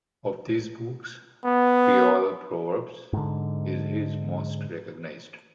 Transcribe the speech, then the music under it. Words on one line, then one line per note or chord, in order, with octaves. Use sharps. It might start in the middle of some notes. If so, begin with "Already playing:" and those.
Of these books, "Creole Proverbs" is his most recognized.
B3
G#2 D3